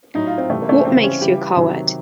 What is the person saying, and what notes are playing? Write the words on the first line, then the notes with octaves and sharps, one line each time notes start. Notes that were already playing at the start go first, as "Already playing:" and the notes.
What makes you a coward?
A2 F#3 D#4
F4
C4
C3 E3 G3 A3
A#3
A3
A#3
C#3 E3 G3 C4
C#4
C#3 E3 G3 G4
C3 D#3 F#3